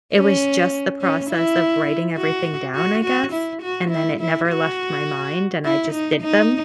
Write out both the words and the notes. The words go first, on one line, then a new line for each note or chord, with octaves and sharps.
it was just the process of writing everything down, I guess, and then it never left my mind, and I just did them
C#4
C#4
E4
F#4
F#4
F#4
E4
F#4
E4
E4
F#4
E4
D#4
D#4